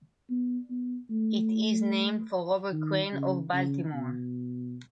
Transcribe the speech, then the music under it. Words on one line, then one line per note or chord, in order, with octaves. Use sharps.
It is named for Robert Crain of Baltimore.
B3
B3
A3
D#3
C#3
C#3
B2